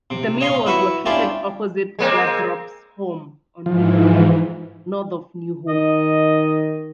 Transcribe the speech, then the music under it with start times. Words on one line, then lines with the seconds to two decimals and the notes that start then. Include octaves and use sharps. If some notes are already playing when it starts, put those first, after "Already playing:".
The mill was located opposite Lathrop's home on River Road, north of New Hope.
0.10 C3
0.40 C#5 D#5 F5 A#5 C6
0.54 C#4
0.66 E4 F#4 B4 E5 F#5
1.06 C#4 D4 E4 F4 G4 D5
1.99 G#3 A#3 C4
3.66 G#2 E3 F3
5.68 D#3 D#5